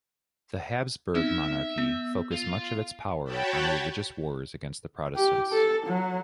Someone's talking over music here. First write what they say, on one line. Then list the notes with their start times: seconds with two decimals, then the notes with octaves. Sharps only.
The Habsburg Monarchy focused much of its power on religious wars against the Protestants.
1.15 B3 C4 D#4 E5
1.78 B3
2.32 F4
3.24 F#4 C#5 G5 A5 B5
5.16 G4
5.52 A4
5.86 F#3